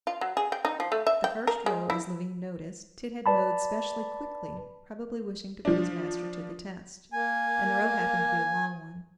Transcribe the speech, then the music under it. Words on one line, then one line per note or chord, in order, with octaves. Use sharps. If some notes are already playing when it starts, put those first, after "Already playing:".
The first row, as Levin noticed, Tit had mowed specially quickly, probably wishing to put his master to the test, and the row happened to be a long one.
F4
F#3
G#4
G5
D#4
F3
A3
E5
G5
A#4
G#3
E4
B4 D5 A5 B5
F3 D4
A#3 G#5